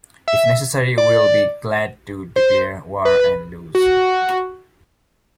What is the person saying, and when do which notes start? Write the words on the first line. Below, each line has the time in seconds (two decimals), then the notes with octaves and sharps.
If necessary, we will be glad to declare war and lose.
0.28 E5
0.98 D5
2.36 C5
3.05 B4
3.75 F#4